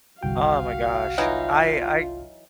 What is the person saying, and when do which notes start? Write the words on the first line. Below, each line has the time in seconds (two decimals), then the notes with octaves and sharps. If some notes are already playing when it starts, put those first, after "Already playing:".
Oh, my gosh. I I
0.23 G1 C2 F#4 F5 G5
1.18 E3 F#3 D#4 F4